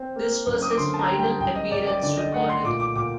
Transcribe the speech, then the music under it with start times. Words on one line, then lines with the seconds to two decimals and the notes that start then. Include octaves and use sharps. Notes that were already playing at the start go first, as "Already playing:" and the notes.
This was his final appearance recorded.
Already playing: C4
0.16 A#3
0.47 F#2
0.62 D#6
0.70 D6
0.77 D3 C6
0.94 A5
0.99 A#5
1.09 G3
1.19 G5
1.40 F#2 G5
1.55 D#5
1.71 F#2 D5
1.87 D5
2.02 D3 D5
2.17 D#5
2.34 A3 F#5
2.49 C6
2.65 A#2 D6
2.80 D6
2.96 A#2 D6